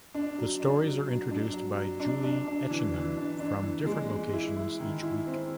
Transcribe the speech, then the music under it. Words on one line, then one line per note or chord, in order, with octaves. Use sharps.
The stories are introduced by Julie Etchingham from different locations each week.
D4
F#3
D4
F#3
F#3
D4
F#3
F#3
D4
D4
D4
E3
E3
D4
D4
E3
G#3
G#3
E4
E4
D#3
E4
C4